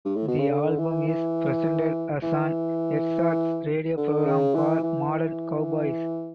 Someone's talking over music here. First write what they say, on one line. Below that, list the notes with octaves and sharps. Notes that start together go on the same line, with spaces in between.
The album is presented as an ersatz radio program for modern cowboys.
G2
A2
B2
C#3
D3
E3
E3
E3
D3
C#3
E3
E3